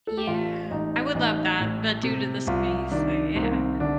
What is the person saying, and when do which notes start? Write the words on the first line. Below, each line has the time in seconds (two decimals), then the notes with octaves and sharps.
Yeah. I would love that, but due to the space, I yeah.
0.07 A4
0.17 G4
0.27 A1 F4
0.71 A1 D#4
1.15 A1 D#4
1.60 A2
2.03 C3
2.47 C2 F4
2.91 D#3 D4
3.35 C2 C4
3.43 A#3
3.51 C4
3.80 D3 D4